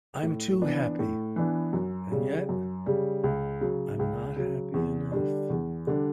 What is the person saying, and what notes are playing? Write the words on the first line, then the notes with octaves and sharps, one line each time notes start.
I’m too happy; and yet I’m not happy enough.
A2
E3 B3 D4
A2
E3 B3 D4
F#2
C#3 G3
F#2
C#3 G3
C#2
C#3 F#3
C#2
C#3 F#3
E2
D3 G3 D4
E2
D3 G3 D4